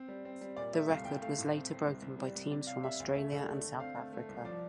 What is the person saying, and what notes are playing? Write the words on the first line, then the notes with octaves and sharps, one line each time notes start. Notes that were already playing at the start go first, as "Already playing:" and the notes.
The record was later broken by teams from Australia and South Africa.
Already playing: C4
G3
C4
G3
A#2 D5
A3 E5
C2 F5
C2 G5
A3 F5
A2
C4
C4
C2
C2
G3
C2
C3 D5
C3 F5
G3 E5
D2 F5
A3 E5
D3
A3
D3
C4 F5
A3
A3
C2
F3 D5